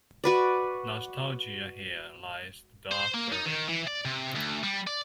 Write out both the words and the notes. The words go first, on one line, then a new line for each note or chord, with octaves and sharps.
Nostalgia Here lies the dog buried.
F#4 B4 D5
C5
A#3
D#4
D#3
E3
D5
C3
D2
G3
D5